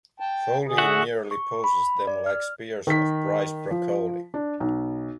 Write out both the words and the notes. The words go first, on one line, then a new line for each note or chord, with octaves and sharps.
Foley merely poses them like spears of prize broccoli.
G5 A5
D3 G#4
F#4 E5 F#5
C#6
B5
D5
F6
D#3 B6
F3
D4
B1